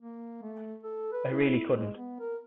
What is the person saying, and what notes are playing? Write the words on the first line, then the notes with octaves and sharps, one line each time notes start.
I really couldn't.
A#3
A3
A4
B4
E4
G#3
B3
A#4